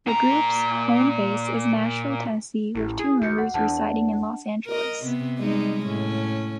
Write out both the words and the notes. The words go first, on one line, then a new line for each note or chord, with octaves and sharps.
The group's home-base is Nashville, Tennessee, with two members residing in Los Angeles.
A#2 A#5
A1 E4 G4
G#4
D#2 F#4 G6 C#7
F#5
E2 D4 F#5 A5
A#4 D#5
C3 B3
G3 G#3 D#4
A2 C#4